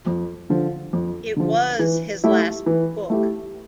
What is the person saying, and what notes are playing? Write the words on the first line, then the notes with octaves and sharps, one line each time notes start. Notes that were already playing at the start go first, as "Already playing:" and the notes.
It was his last book.
F2
D3 F3
F2
D3 F3
E3
A3 E4 G4
E3
A3 E4 G4